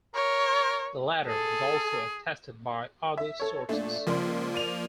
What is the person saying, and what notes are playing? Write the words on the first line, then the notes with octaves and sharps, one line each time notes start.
The latter is also attested by other sources.
A#4 C#5
G#4 A4
E5
A4 C#5
A#2 A3 D4
C#2 F3 A#3 D5 C6
D5 D#7 F7